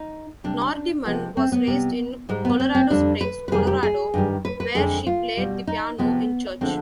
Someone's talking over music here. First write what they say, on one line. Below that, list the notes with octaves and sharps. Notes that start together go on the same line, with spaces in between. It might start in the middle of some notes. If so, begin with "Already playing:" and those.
Nordeman was raised in Colorado Springs, Colorado, where she played the piano in church.
Already playing: D#4
C3 G3 D4
C3 F3 G#3 B3
C4
B3
C3 G3
G#2 G3 G#3
B3
C4
C4
F2 D3 G3 D4
B4
B4
F2 C3 D#3 G3 G#4
G4
G#4
G2 D#3 G3
B4
B4
F2 D3 G#3 G#4
F4
B2 G3
D#4
C3 F3 G#3 B3
D3 F3 G#3 C4